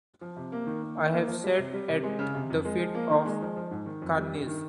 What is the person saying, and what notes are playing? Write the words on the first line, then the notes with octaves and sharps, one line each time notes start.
I have sat at the feet of Cairnes.
F3
C3
A#3
D#3
A#3
D#3
A#3
F3
G3
C3
G3
C3
G#3
C#3
C3
F2
G#3
F3
A#3
D#3
G#3
F3
F3
G#2
D#3
F2
G3
G2
D#3